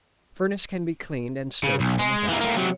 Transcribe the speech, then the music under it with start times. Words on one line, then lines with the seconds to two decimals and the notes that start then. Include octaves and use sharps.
The furnace can be cleaned and stoked from without.
1.64 C#3
1.80 B1
1.99 G#3
2.29 E3 A#3
2.41 A2 A#3
2.57 C3 F#3